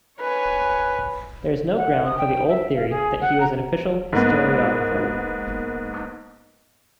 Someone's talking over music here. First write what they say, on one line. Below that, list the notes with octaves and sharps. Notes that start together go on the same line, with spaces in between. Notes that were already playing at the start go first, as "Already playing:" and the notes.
There is no ground for the old theory that he was an official historiographer.
B4 C#5 G#5
F#5
D#6
G5
E5
F5
G#4
F#5
A#5
G#2 A#3 B3